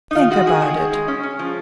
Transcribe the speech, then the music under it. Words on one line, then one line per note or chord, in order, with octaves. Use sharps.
Think about it.
D#4
D#3 F4
G#3 F#4
D#3 G#4
D#3
D#3
G#3
C#4
C#4
F3